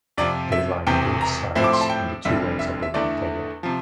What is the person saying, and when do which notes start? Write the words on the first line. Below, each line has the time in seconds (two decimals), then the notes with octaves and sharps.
They line both sides and the two ends of the long table.
0.17 F2 C3 F3 D5
0.52 E5
0.87 E1 E2 C3 G5
1.21 A#5
1.55 A2 F3 C4 E4
1.64 D6
1.73 C6
1.81 A5
1.90 G5
2.25 F1 F2 D3 G3 E5
2.59 E5
2.83 E5
2.94 E2 D3 A3 E4 D5
3.63 C3 F3